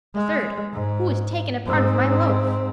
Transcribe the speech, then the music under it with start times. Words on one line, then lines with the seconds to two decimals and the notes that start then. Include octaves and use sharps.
The third, "Who has taken part of my loaf?"
0.15 G#3
0.74 G#2
1.67 G#2 C4